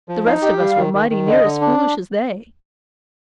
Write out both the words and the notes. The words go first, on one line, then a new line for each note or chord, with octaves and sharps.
The rest of us were mighty near as foolish as they.
F3
D#4 F5
G4 D#5
G3 F5
D#3
D#3
D#3
D3 D#5
D3
D4